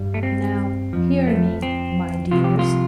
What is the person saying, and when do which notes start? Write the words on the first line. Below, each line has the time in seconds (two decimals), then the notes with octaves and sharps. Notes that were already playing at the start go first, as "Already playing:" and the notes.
Now, hear me, my dears!
Already playing: G2 G3
0.14 A3
0.23 C4
0.93 F2 F3
1.27 A3
1.62 C4
2.31 C2 C3 F3 F4
2.44 G4
2.59 F4